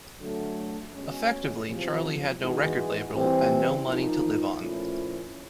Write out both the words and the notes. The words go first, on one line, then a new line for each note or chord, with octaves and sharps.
Effectively Charlie had no record label and no money to live on.
D3 F#3 A3
B2 G#3 C#4
E2 C3 F3
E3 G#3 B3 D#4 F#4
E3 G3 C4
F3 A#3 D#4
A#2 F3 A3 C#4 E4